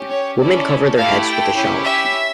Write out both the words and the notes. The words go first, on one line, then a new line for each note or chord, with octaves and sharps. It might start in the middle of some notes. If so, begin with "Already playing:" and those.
Women cover their heads with a shawl.
Already playing: C#4 G4
C#5
C#4 E4 A4 D5
A3 E4 G4 F5
G5
C#4 E4 G4
E5